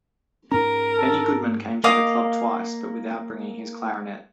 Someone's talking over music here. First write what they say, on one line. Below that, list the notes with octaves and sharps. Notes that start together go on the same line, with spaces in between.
Benny Goodman came to the club twice, but without bringing his clarinet.
G#2 C#4 A#4 A#5
A4
A#3 D#5 F5 D6